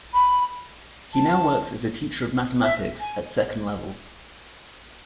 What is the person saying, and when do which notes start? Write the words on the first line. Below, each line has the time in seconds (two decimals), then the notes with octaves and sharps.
He now works as a teacher of mathematics at second level.
0.14 B5
1.13 A5
2.62 E5
3.00 G#5